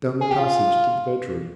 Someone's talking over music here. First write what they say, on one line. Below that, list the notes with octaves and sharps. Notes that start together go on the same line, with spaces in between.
Down the passage to the bedroom.
G#4
G4
F4